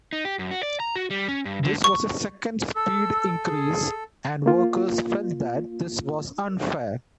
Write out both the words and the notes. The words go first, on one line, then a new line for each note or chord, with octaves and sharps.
This was a second speed increase, and workers felt that this was unfair.
D#4
G4
F#2
F#4
D5
A#5
F#4
G3
C#4
G2
D3
C#6
A4 E6
G#4
A#3 F4